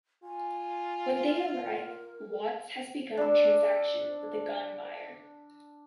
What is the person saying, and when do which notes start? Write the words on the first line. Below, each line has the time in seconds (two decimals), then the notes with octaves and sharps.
When they arrive, Watts has begun a transaction with a gun buyer.
0.23 F4 G#5
1.57 A#4
3.17 D4 E6